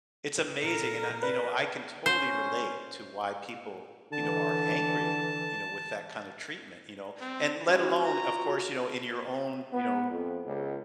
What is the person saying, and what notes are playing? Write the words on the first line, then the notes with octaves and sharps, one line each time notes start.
it's amazing and I you know, I can totally relate to why people, you know, are angry, you know, with that kind of treatment, you know? And let alone, of course, you know, in your own, you know,
A#2 A4 A#4
B4 D5
C#4 C5
D3 E3 A5
C4
G#3 C#4 F#4
F4 A#5
B3
F2
C#2